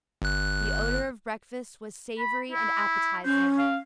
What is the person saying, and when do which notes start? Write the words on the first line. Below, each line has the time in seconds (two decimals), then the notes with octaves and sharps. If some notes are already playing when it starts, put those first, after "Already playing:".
The odor of breakfast was savory and appetizing.
0.22 G1 F#6
2.19 B5
2.52 E4
3.25 C#4 C5
3.58 F5